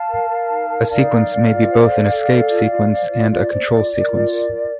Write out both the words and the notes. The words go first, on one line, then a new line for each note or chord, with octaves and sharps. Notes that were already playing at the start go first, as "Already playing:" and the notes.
A sequence may be both an escape sequence and a control sequence.
Already playing: F5 A5
A#4
A#4
D#4
A#4
D#4 D5 F5
A#4
A#4
F4
C5
A4
A4
A4
F4
F4
C5
F4
F4 D5
C5
F4
A#4
F4
A#4
F4